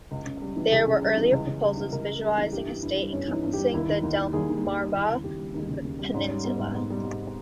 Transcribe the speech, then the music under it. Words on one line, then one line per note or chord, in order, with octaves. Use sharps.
There were earlier proposals visualizing a state encompassing the Delmarva Peninsula.
C#2
C#3
G3
E3
C#2 G#4
C#3
G3
E3
C#2 G#4
C#3
G3
E3
C#2 A#4
C#3
G3 G#4
E3
G2 G4
E3
G2 E4
G3
G2 C#4
E3
D#4
G2
G3 G4
D#2 E4
D#3
D#2
G3
D#2 G#4
D#3
D#2 G4
G3
D#2 E4
C#3
D#2 G4
G3
D#2 D#4
C#3
D#2
G3
G#2 C#4
G3
G3 B3
G#2
G#2 B3
G3
G3